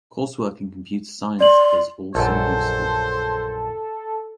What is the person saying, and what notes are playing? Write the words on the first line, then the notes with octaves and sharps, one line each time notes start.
Coursework in computer science is also useful.
D5 C6 F#7
A#1 F#2 A4 C5